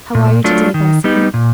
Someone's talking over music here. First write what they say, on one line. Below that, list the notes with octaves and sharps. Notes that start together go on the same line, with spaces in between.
"How are you today, Bessie?"
A#2
F#3 A3 D4 F4
D#3
G3 B3 D#4
A#2